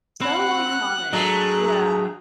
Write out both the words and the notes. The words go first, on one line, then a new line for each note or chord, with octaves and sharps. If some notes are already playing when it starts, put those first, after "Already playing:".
So iconic. Yeah.
C4 F#5 B5 F#6
F#3 G#3 A3 D4 A#5 F#6